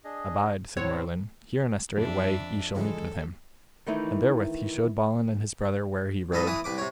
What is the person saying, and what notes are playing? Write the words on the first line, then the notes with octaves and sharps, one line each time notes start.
Abide, said Merlin, here in a strait way ye shall meet with him; and therewith he showed Balin and his brother where he rode.
D4 G#4 D#5
A2 C4 C#5 F#5
F2 D4 E5
C#3 E3 F#3 G#3 A4
D#3 E3 A3 D#4 E4
C2 A4 B4 D#5
E3 B4 D#6
C2 B4 D6
C3 C#5